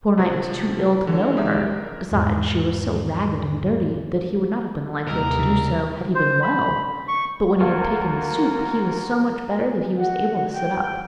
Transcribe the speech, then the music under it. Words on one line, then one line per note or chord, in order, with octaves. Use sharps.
The poor knight was too ill to know her, besides, she was so ragged and dirty that he would not have been likely to do so had he been well; but when he had taken the soup he was so much better that he was able to sit up.
C3 F3
D3 E3 F#3
G#3 D#4 G4 E5
A#4
E2 G#2
D#2 C3 G3 D#4 E4 A#4
C#3
C5
B5
C#6
D2 A#3 A#4
F#4
G5